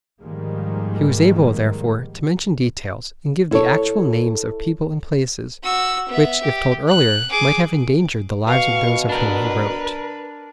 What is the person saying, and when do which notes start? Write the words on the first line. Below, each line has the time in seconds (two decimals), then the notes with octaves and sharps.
He was able, therefore, to mention details, and give the actual names of people and places, which, if told earlier, might have endangered the lives of those of whom he wrote.
0.22 G#2 D#3 F3 G3 G#3 A#3
3.51 E4 A4 C#5
5.63 F#4 E6
6.09 B3 E5
6.43 G4
6.88 F#6
7.30 G#4 D6
8.47 B2 F5 C#6
9.09 D4 A#4 B4